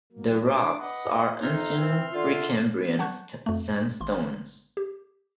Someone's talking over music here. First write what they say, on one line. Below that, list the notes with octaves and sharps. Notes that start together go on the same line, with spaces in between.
The rocks are ancient Precambrian sandstones.
F#3 A#3
D4 D6
B4 D#5 F#5
F2 D#4 E5 C6 F6
E3 F3 C4
D3 F4
F#5 A5 C#6 F#6 G6
F2 A3
G#1 C6
G4